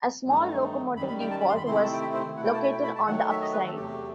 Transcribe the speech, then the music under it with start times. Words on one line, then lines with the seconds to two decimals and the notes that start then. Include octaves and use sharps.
A small locomotive depot was located on the up side.
0.26 G2 D#3 F#3 A3 D#4
0.96 F#2 D#3 G3 B5
1.08 B5
1.20 G5
1.31 A5
1.40 B5
1.49 C6
1.57 B5
1.66 C3 D#3 A3 C4 E4 C6
1.75 B5
1.83 A5
1.93 G5
2.01 E5
2.14 C5
2.36 B2 A3 E4 F#5
2.45 G5
2.54 A5
2.63 B5
2.72 G5
2.84 B5
2.95 A5
3.06 D#3 F#3 A3 F#5
3.18 F#5
3.30 E5
3.42 D#5
3.53 B4
3.66 A4
3.77 E2 C3 F#3 A3 G4